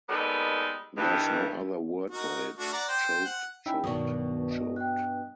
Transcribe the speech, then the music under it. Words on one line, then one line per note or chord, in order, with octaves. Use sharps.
There's no other word for it - choked, choked, choked.
G3 G#3 A#3 B3 D#4 A4
G2 D#3 E3
D#4 F#4 A#4
A3 D4 F#4
D5 F#5 A#5
C5 G5
F#5
C#4 D#4 E4 E5 G5 B5
B1 G2 B2 D#3 F#3 D5 C#6 D#6
D#5
G5 F#6